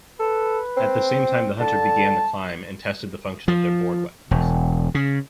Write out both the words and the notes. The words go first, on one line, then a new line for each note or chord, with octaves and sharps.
At the same time the hunter began the climb and tested the function of their board weapons.
A4 B4
C4
D3 A5
F3
E1
C#3